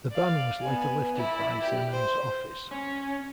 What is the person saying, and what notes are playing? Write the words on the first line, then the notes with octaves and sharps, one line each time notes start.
The ban was later lifted by Zeman's office.
D5 F5
B3 G#5
E4 D5
G4
C5
C#4